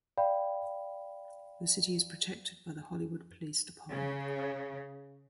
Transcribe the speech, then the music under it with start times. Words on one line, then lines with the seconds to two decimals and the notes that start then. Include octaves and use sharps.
The city is protected by the Hollywood Police Department.
0.18 D5 F5 G5 B5
3.91 C#3